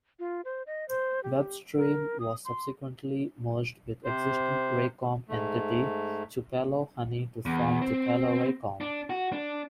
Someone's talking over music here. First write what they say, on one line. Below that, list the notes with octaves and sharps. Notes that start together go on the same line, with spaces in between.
WebStream was subsequently merged with existing Raycom entity Tupelo Honey to form Tupelo Raycom.
F4
C5
D#5
C5
G4
A#4
D#6
C6
C3 C5
G#2 A3
E2
C4
D4
F#4
D4